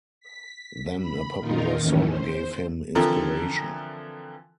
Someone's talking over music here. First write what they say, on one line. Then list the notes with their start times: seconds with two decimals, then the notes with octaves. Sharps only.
Then a popular song gave him inspiration.
0.20 B6
0.98 B5
1.40 A#2 D#3 D#4 F4 A#4
1.77 D#2 A2 D#3 E3 C#4
2.07 C5
2.95 D3 E3 F3 C4 A4 A#4